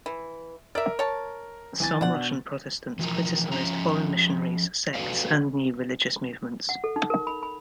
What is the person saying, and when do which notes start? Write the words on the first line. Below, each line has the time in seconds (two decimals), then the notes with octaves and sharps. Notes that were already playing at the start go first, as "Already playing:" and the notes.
Some Russian Protestants criticized foreign missionaries, sects and new religious movements.
0.06 E3
0.75 A#4 D5 E5
0.99 C#5 A5
1.80 E3 G#5 A6
2.01 B2 D4 F#5
2.99 E3 F3 A#4 A#5
3.52 F3 C#4 D#5 E5 A#5
4.94 F#4 A4 B4 D5 F5
6.69 F#5
6.84 A4
6.96 D#4
7.10 A#4
7.27 B5
7.43 B5